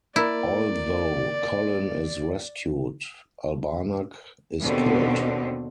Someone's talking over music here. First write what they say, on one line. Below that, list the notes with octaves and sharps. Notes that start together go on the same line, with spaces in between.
Although Colin is rescued, Albanac is killed.
A#3 E4 A#4 D5
D#2 B2 D3 C4